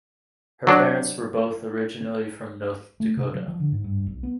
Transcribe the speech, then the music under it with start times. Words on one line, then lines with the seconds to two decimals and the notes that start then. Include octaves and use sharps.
Her parents were both originally from North Dakota.
0.67 F#3 D4
3.00 A3
3.17 C3
3.34 F#3
3.48 F3
3.60 D3
3.72 G#2
3.84 G2
4.07 B1
4.23 B3